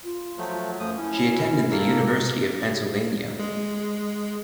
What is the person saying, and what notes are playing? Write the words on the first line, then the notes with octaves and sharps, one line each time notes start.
She attended the University of Pennsylvania.
F4
F3 F#3 A3
F#2 F3 A3 D#6
C#4 E4
A#3 A4 A#4
G#3